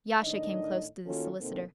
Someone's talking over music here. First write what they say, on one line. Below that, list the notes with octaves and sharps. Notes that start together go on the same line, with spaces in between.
Yasha came close to the solicitor.
A2 D#3 D4 D#4 D#5
D#3 A#3 C#4 F4 F#4 A4
B2 D3 A#3 C4 D#4 A4